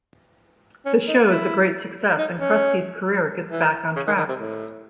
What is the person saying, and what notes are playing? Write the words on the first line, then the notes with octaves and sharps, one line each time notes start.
The show is a great success and Krusty's career gets back on track.
C#4
D#4
E4
D#4
C#4
E3
C#3
D#3
D#3
C3
A2